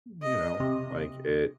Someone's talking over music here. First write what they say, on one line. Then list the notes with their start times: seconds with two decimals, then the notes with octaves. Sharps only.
you know, like, it, um,
0.22 D#5
0.60 C3